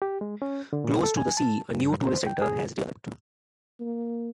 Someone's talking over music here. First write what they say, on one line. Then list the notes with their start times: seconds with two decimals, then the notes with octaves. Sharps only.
Close to the sea, a new tourist centre has developed.
0.02 G4
0.21 G#3
0.42 C#4
0.73 D3
0.84 A#2
1.03 A4
1.17 G#5
1.37 A5
1.74 G2
2.07 C5
2.26 G5
2.42 G#4
3.80 A#3